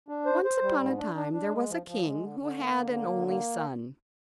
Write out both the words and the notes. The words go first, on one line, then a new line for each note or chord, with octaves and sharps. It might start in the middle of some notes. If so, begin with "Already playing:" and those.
Once upon a time there was a king who had an only son.
D4
C5
C5
G3
G#2
D4
D4
D4
G#3
F3
F3
G#3
D3
D3
A#3
D3
A#3
D3
A#3